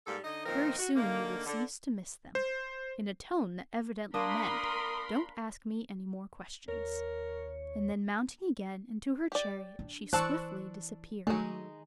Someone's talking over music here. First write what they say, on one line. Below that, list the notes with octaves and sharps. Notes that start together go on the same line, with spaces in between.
'Very soon you will cease to miss them!' in a tone that evidently meant 'Don't ask me any more questions.' And then mounting again into her chariot she swiftly disappeared.
G#2 G3 A#3 G4 A4
D3 D#4 D#5
A#2 D#3 F3 C4 A#4
F#4
D3 D#3 A#3
D3
C5
A#3 D4 A#4 B5 C6 D#6
D#2 A#4 C#5
G4 D5
D4
E3 D4 C5 A5 C#6 E6 F#6
D#3 F#3 G#3 A3 D#4